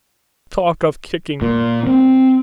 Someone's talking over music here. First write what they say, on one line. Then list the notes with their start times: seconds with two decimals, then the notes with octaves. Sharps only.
Talk of kicking!
1.42 A#2
1.87 C4